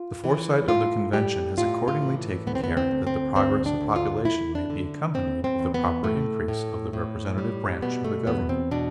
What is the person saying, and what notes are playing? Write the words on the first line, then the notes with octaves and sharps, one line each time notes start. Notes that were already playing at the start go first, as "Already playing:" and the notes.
The foresight of the convention has accordingly taken care that the progress of population may be accompanied with a proper increase of the representative branch of the government.
Already playing: F4
E3
A2 F4
G3 G4
A2 F4
F4
E3
D2 B3
C4
B3
C4
D2
C4
D2 C4
D4
D2
F4
E2 E4
D4
D3
E2 C4
C4
E2
B3
A2 A3
A2
A2
G3
B2 B3
A3
E2 B3
C4
B2 D4